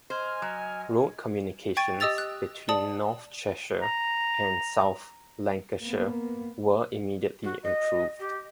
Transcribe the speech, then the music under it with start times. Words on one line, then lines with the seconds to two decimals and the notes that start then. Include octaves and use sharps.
Road communications between north Cheshire and south Lancashire were immediately improved.
0.10 C5 D#5 G#5 F6
0.42 F#3
1.77 G5 C#6 G#6 A6 D7 D#7
2.00 G4 D#5 D#6 E6 A6 F7
2.18 F#6
2.69 D5 A5 D#6 F#7
3.82 A#5
5.82 A#3 B3
7.44 F#4
7.63 D#5
8.20 G4